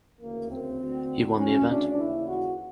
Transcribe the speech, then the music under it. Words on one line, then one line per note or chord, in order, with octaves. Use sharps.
He won the event.
D2 C#3 E3 A#3
C4
D2 D3
D2 C#3 E3 C#4
D4
D#2 C#3 E3 E4
F#4